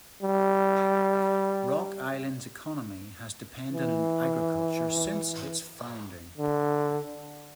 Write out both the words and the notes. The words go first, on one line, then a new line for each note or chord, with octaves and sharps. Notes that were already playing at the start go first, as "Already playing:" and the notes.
Rock Island's economy has depended on agriculture since its founding.
G3
E3
D3